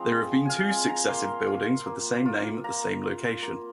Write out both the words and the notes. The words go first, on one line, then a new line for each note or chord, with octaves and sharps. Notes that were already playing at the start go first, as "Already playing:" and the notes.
There have been two successive buildings with the same name at the same location.
Already playing: F3 G#3 C4 A#5 C6 D#6
F3
F5 G#5
G#3 C4
A#5
A#3 C6
F4
A#3
F4
A#3 A#5
F4
A#3